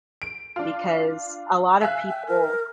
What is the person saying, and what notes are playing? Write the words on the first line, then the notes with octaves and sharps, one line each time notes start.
because a lot of people,
D7
D4 F4
E5 F5 G#5 F#6
G5
A#4